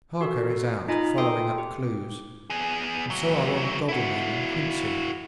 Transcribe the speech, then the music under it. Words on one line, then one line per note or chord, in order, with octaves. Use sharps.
Harker is out, following up clues; and so are Lord Godalming and Quincey.
F#4 A4 A#4
D#4 F4 D#5 G#5 A#5 B5
F4 A4 G5 C6 D#6 C7
G4
B3 G#4
D2 F#3
E4 F#4